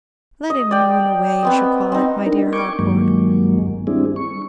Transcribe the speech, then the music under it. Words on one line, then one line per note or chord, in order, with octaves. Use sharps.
Let him "moon away," as you call it, my dear Harcourt.
D#5
D5 G5
B3 C4 D#5
C4 D#4
D4 D#4 A#4
G5 G#5 C#6 D6
G2 D#3 F#3 G#3 A#3
G3 C4 D4 E4 G#4
C#6